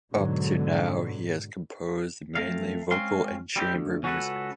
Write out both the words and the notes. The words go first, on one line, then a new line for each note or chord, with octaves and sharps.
Up to now he has composed mainly vocal and chamber music.
G#2 B2 D3 F#3
F2 A3 A#4 F5
G#3 C4 C#4 F5 C6
G3 C4 F4 G4
D2
C#2 C#4 F#4 G#4 A4 B4